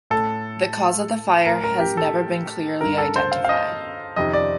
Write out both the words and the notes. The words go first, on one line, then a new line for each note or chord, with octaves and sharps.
The cause of the fire has never been clearly identified.
A2 A4
A2 A#4
A#4
G4
A4
G2 D3 A#4
A4
C5
F5
F5
D#5
F2 C3 D#3 D#5
D5